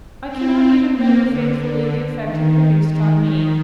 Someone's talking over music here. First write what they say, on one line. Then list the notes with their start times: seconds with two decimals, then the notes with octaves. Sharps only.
I cannot even render faithfully the effect it produced on me.
0.28 C4
0.92 A#3
1.24 D3
2.21 D#3
2.85 D#3
3.17 D#3